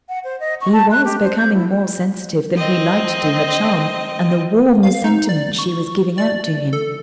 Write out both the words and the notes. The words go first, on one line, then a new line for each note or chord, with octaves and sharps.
He was becoming more sensitive than he liked to her charm and the warm sentiment she was giving out to him.
F#5
C5
D#5
C#6
A5
F#6
G4
C5
G6
E4
C4 D#5
F5
D#4
D5
C#6
D5
A4